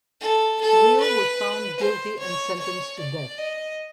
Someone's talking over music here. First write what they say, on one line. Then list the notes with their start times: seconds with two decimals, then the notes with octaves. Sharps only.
Riel was found guilty and sentenced to death.
0.21 A4
0.61 A4
1.00 B4
1.79 C5
2.19 C#5
2.59 C#5
2.99 D5
3.38 D#5